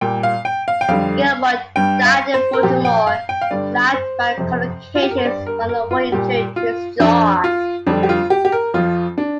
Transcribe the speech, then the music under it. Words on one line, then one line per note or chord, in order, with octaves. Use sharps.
Gilmor died in Baltimore, plagued by complications from a war injury to his jaw.
A#2 G3 G5
F5
G5
F5
G5
F2 D3 G3 F5
G2 G3 G5
F5
C5
A#4
A#2 F3 G4
G5
F5
G5
F5
G2 D3 G3 D5
C5
F2 C3 F3
F4
G4
A#4
C5
G2 G3 D5
A#4
A#4
F4
A#2 G3 G4
F4
F2 F3 D4
F4
F2 D3 G3 D4
G4
F4
G4
G4
A#4
F2 F3 F4
D4